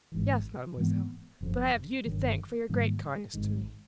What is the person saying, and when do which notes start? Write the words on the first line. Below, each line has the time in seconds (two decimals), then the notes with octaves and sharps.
"Yes, Mademoiselle, but I have you to thank for your great kindness to me."
0.12 G#1 G#2 E3
0.77 G#2 E3 G#3 B3
1.41 F#1 F#2 D3 F3
2.05 G1 G2 D#3 F#3
2.69 G#2 D#3 G3 A#3
3.33 G#1 G#2 D#3